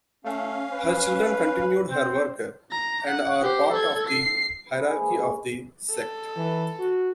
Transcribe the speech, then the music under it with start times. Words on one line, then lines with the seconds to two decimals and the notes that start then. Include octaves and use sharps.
Her children continued her work and are part of the hierarchy of the sect.
0.25 A3 C#4 F5
0.72 B4
1.89 C4 C5
2.71 A#5
3.08 F#5
3.42 G4 C5
3.73 A4 G#6
4.07 C7
4.66 B4 C5
4.81 G#4 A#4 B5
4.96 E3 G#3 A#3 D4
5.08 E3 C#5
5.22 C5
5.91 A4
6.36 E3
6.79 F#4